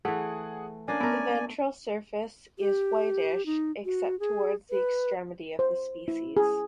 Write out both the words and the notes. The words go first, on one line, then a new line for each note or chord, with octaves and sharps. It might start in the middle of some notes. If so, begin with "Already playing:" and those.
The ventral surface is whitish except towards the extremity of the species.
E3 A3 G#4 F#5
A#3 C#4 D4 D5 G#5
A3 B3 A#4
G4
D#4
F#4
G#4
B4
C5
E4
G#4